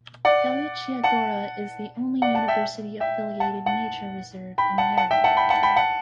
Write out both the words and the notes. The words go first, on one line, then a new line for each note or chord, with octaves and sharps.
Galichya Gora is the only university-affiliated nature reserve in Europe.
D5 F#5
F#5 A5
D5 F#5
F#5 A5
E5 G5
E5 G5
F#5 A5
F#5 A5
G5 B5
F#5 A5
F#5 A5
E5 G5
F#5 A5
G5 B5
F#5 A5
G5 B5
F#5 A5